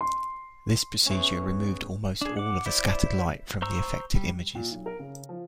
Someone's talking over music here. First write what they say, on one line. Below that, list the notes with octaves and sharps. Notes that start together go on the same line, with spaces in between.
This procedure removed almost all of the scattered light from the affected images.
C6
E2 C#4
D4 G#4
F#5 D6
E4 C5 D5
C5 A#5 C#6 E6
G3
A#2
B1
A#4
C#3
F3